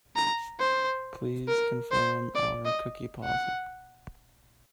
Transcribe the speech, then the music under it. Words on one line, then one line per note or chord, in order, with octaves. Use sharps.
Please confirm our cookie policy.
A#5
C5
A#4
C5
D5
D#5
F#5